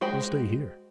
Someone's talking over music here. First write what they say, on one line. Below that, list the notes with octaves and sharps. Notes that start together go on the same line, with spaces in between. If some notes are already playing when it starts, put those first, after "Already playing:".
We'll stay here.
G#3 F#4 C5 G5 B5